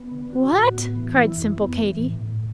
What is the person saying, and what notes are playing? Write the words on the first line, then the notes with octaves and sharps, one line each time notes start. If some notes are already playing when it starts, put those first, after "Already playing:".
"What!" cried simple Katy.
Already playing: B3
D3
F#4
A2
B3
E3
E4
F#2
B3
E3
A2
A2